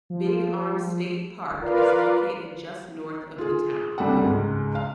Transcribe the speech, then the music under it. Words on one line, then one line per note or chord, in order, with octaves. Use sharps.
Big Arm State Park is located just north of the town.
F3
F4 A#4 B4 D5 F5
F4 G#4
C2 C#3 G3 D4 A4 F#5
C#2 G#2
F5